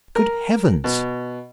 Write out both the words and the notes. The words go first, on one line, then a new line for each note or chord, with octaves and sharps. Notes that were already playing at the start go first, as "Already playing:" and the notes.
Good heavens!
A#4
B2